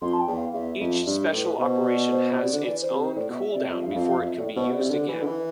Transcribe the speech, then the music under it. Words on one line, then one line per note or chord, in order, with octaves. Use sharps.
Each Special Operation has its own cooldown before it can be used again.
F2 C6
A5
G5
E2
F5
E2 E5
F2
G2 D5
A2 B4
B2 C5
D5
C5
B2
C3 D5
D3
E3 D5
C5
C3
C5
A2 D5
B2
E5
C3 D5
F2 E5
F5
G2
F2 F5
F5
F2 E5
A2 D5
B2 C5
E5
D5
C3
D3
E3
D3
E3 E5